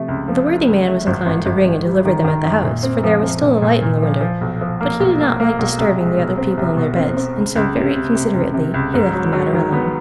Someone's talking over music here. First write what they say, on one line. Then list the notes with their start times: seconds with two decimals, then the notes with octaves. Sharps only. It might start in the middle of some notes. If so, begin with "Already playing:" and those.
The worthy man was inclined to ring and deliver them at the house, for there was still a light in the window; but he did not like disturbing the other people in their beds, and so very considerately he left the matter alone.
Already playing: C3 F3 A3
0.08 C#2
0.28 F3
0.47 A3
0.67 C#2
0.87 A3
1.07 G#1
1.26 G#1
1.46 G#1
1.65 G#1
1.85 G3
2.05 D#3
2.24 D#3
2.44 F#2
2.63 A#2
2.83 C4
3.04 F3
3.23 C4
3.42 A#2
3.62 A#2
3.82 A#2
4.02 F3
4.21 F3
4.41 B1
4.61 F3
4.81 A#3
5.00 B1
5.20 A#3
5.40 A#3
5.59 B1
5.78 C2
5.98 G#3
6.17 B2
6.38 C4
6.57 C2
6.77 B2
6.96 C4
7.16 C4
7.36 C#2
7.56 C#2
7.75 C3
7.95 C3
8.14 C3
8.35 C#2
8.53 C3
8.74 C#2
8.94 G#2
9.14 F#3
9.33 F#3
9.53 D#3
9.72 B3